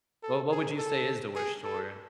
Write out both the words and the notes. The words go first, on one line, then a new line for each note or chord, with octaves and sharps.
Well, what would you say is the worst chore?
A4
G#4
A4
G#4
A4